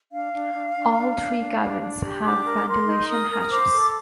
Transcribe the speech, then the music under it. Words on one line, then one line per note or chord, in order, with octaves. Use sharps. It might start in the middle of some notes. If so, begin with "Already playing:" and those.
All three cabins have ventilation hatches.
D4 F5
D4
D4
D4
D4
D4
D4
D4
D4
G4
D4 D6
A#4
A#4 C6
D#4
A#4 D#6
A#4
D#6
C5 D6
A4